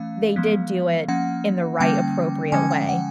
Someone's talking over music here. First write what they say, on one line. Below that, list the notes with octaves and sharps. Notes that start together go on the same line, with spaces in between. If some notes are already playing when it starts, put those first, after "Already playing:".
they did do it in the right, appropriate way.
Already playing: E3 A3 C#4 F5
F3 G#3 B3
F3 A#3 C#4 F#5
D3 G3 A#3 C#4 G5
D3 F3 G#3 C#4 G#5
G5
F#5